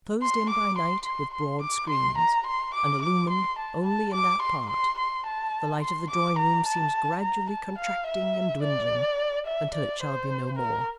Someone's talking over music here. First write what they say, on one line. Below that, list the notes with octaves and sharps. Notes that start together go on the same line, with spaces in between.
Closed in by night with broad screens, and illumined only in that part, the light of the drawing-room seems gradually contracting and dwindling until it shall be no more.
C6
D6
C6
C6
C6
D6
C6
A#5
C6
D6
D6
C6
A5
A5
D6
C6
C6
C6
A5
C6
D6
A#5
A5
A#5
A5
F5
E5
D5
E5
D5
C5
A#4